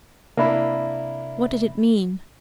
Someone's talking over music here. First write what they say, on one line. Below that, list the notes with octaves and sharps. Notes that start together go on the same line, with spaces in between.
What did it mean?
C3 A#3 D4 E4 E5 B5